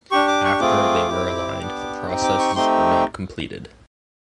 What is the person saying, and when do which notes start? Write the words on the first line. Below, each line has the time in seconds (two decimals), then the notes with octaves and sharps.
After they were aligned, the processes were not completed.
0.11 D4 G4 C#6
0.28 D6
0.44 C#6
0.60 A3 C4 F4 G#4 D6
1.09 C4 E4 G4
1.58 B3 D4 G4
2.07 C4 D#4 G4
2.23 D6
2.39 C#6
2.55 A3 C4 D#4 G4 C6